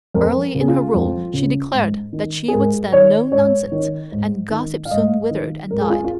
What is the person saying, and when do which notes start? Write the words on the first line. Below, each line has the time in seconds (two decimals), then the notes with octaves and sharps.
Early in her rule she declared that she would stand no nonsense, and gossip soon withered and died.
0.14 F2 A#4
0.54 C#3
0.60 G#4
0.68 F4
0.94 F2
1.33 C#3
1.73 G#2
2.13 D#3
2.48 G#4
2.53 G#2 A#4
2.92 D#3 C#5
3.32 G#2 C#5
3.72 D#3
4.12 G#2
4.51 D#3
4.85 F5
4.91 G#2 D#5
5.31 D#3
5.71 G#2 A#4
5.81 G#4
5.90 F4
6.04 F4